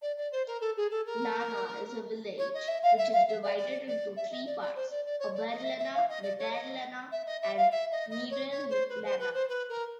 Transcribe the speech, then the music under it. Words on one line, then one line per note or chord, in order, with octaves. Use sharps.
Lana is a village which is divided into three parts: Oberlana, Mitterlana and Niederlana.
D5
D5
C5
A#4
A4
G#4
A4
A#4
C#5
D#5
E5
F5
E5
F5
E5
D5
D5
D5
E5
D#5
D5
D5
C5
D5
D5
C#5
D5
D#5
E5
E5
F5
D#5
D5
C#5
D#5
E5
D#5
E5
F5
E5
D#5
D#5
C#5
C#5
C5
B4
C5
B4
C5
B4
A#4